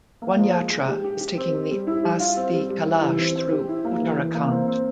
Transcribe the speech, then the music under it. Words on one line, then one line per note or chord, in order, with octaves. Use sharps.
One Yatra is taking the asthi Kalash through Uttarakhand.
A#3
F3
G#3
G#3
G4
G4
G4
C4
C4
G3
E4
G3
F4
C4
G3
G3
E4
E3
C4
C5
G4
E4
A#3
E3
E3
A#3
C4
C4